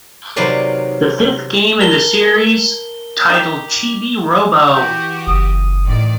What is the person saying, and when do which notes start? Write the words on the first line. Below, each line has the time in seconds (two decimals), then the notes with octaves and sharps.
The fifth game in the series, titled Chibi-Robo!
0.36 C3 D#3 F#3 B4 C5 D5
1.81 A#4 A5 G7
3.30 D#4 G4
4.73 E3 F#4 G4 G5
5.27 F#1 D#6
5.85 A1 D#3 D5